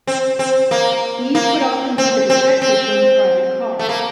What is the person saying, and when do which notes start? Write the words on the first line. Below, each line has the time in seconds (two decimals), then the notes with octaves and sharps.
These would often be the detective's own private car.
0.07 C4
0.39 C4
0.71 A#3
1.35 A#3
1.98 C4
2.30 C4
2.62 C4
3.79 A3
3.89 A#3